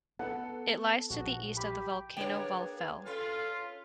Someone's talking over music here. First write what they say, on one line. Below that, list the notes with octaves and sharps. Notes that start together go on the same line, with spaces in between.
It lies to the east of the volcano "Hvalfell".
B3 A4 B4 F#5
A#1 F3 F#4
G4 B5
A#3 D4 G#4 B4 C#5 G5
C#4 F4 A4 B4